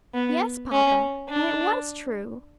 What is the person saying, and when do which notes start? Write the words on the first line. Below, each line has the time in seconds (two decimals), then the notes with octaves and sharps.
"Yes, papa, and it was true."
0.14 B3
0.72 C#4
1.30 D4